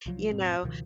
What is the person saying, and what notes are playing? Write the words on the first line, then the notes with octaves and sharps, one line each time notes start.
You know?
C2 F3 F#3
E1 A2 C4
C#2 B2 D#3 F3